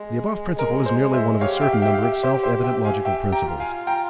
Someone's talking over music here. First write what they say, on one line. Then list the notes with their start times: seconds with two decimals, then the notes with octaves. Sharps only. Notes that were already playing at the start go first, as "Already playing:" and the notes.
The above principle is merely one of a certain number of self-evident logical principles.
Already playing: G#3
0.59 G#3 A#4
0.86 C5
1.14 C5 E5
1.41 G4 C#5 F5
1.56 F5
1.61 E5 G5
1.73 F5
1.82 E5 G5
1.94 F5
2.03 E5 G5
2.23 C5 E5
2.43 C5 E5
2.64 E5 G5
2.84 F5 G#5
3.05 G4 E5 G5
3.32 G5 A#5
3.47 F4
3.60 F5 G#5
3.87 G5 A#5